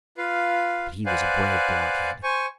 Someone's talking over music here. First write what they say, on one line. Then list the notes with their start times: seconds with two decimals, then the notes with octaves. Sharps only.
But he was a brave blockhead.
0.18 F4 B4 F5
1.06 B4 C5 D5 F5 F#5 G#5
2.23 C5 G#5 C#6